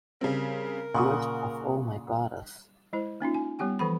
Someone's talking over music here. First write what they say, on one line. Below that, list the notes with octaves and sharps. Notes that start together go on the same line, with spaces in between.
List of Oh My Goddess!
C#3 G3 C4 A#4
A#2 C#3 F#5 C#6 D#6
G#3 E4 C5
A#3 C#4 D#4 F4
G#5
G3 B3 G4 G5 G#5
E3 F3 A4 F#5 B5